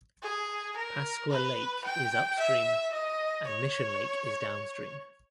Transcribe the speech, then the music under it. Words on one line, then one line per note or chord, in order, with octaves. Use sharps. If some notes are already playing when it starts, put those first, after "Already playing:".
Pasqua Lake is upstream and Mission Lake is downstream.
G#4
A#4
B4
G5
E5
D#5
C#5